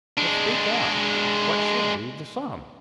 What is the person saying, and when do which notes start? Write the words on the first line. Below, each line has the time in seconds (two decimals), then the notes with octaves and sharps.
But speak out--what shall be the sum?'
0.18 G#3 D4